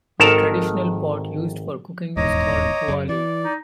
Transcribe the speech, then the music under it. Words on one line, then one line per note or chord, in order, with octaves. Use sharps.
The traditional pot used for cooking is called "kuali".
G#1 D#3 A4 A#4 A5
D#1 E2 G#2 C#5 D#5 A#5 D6
F#2 C#3
E3 D5
D#4